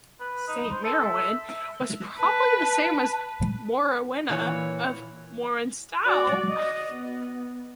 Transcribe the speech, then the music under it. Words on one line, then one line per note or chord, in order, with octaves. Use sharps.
Saint Marwenne was probably the same as Morwenna of Morwenstow.
B4
D#4
C5
A4
E5
E5
B4 A5
A#2 E3 C#5
F#4 D5
D#5
B3